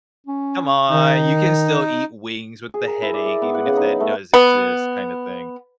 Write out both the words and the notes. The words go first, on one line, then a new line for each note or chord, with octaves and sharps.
"Come on. You can still eat wings with the headache, even if that does exist," kinda thing.
C#4
D#3 D#4
G#4
A#4
E4
D5
D5
B3
F#5
C#3
D#4
A3
B3